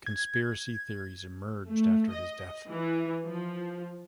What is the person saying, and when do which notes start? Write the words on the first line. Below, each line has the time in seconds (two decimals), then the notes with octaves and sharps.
Conspiracy theories emerged after his death.
0.06 G#6
1.66 A3
2.12 D#5
2.70 E3
3.25 F3